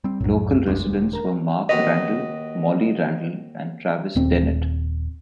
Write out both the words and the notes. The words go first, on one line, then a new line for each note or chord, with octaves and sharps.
Local Residents were Mark Randall, Molly Randall, and Travis Dennett.
G3 C4
C2 F#2 A2 F#3
E1 D2 G#3
A#4 A#5
D#2 F#4 B4 D#5
D#1 C4